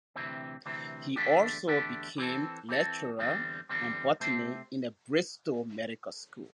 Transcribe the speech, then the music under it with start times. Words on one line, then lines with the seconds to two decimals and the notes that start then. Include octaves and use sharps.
He also became lecturer on botany in the Bristol medical school.
0.16 D2 C3 E3 C4
0.66 D2 C3 E3 C4
1.16 E2 D3 A3 D4 G4
1.67 E2 D3 A3 D4 G4
2.18 E3 C4 A4
2.69 E3 C4 A4
3.19 E2 D3 G3 C4
3.69 E2 D3 G3 C4
4.20 C3 A3 C4 G4 C5